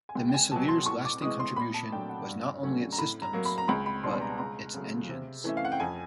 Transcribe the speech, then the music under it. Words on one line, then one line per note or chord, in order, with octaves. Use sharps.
The Missileer's lasting contribution was not only its systems, but its engines.
G#5
C#2 G5
G5
G#5
B2 F#3 A5
C6
A2 C#6
D6
E3 G#3 D#6
C6
A#2 B5
A5
F#3 A3 D4 G5
F#5
G2
D3 F#3 A3 C#4
A#5
A2 B5
A#5
F#3 A#3
B5
A#5
C#2 B5
B5
B2 G3 B3 D4 C6
A#5
A5
C#2 A#5
C#3 F#3 A3
C3
E3 A3 C#4 E5
F5
F#5
G5
F2 G#5